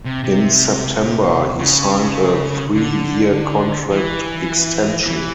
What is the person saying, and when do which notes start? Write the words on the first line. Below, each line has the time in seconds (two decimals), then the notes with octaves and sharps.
In September, he signed a three-year contract extension.
0.05 C3
0.24 C3
1.60 C#3
2.75 D3
3.91 E3
5.06 E3